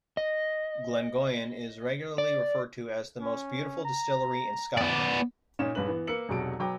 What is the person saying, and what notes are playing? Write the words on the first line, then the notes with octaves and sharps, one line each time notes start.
Glengoyne is regularly referred to as the "most beautiful distillery in Scotland".
D#5
D5
C#4
A#5
B3 D5
A#2 C#4 D#4 C#5 E7
A#1 G2 C#4 B4 F#7
E3 B3
A#3 B4 E6 C#7 F#7
E1 B1 C3 F#3 A5 D7
B2 F#3 G5 A#5 D6